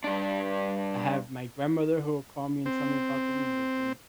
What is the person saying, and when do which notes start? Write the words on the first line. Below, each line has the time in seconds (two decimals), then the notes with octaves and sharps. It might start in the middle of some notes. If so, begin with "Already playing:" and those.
I have my grandmother who will call me and tell me about the religion.
0.04 G2 D4
2.66 C4